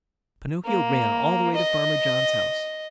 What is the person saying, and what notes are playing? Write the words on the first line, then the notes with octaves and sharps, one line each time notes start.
Pinocchio ran all the way to Farmer John's house.
A#3
D#5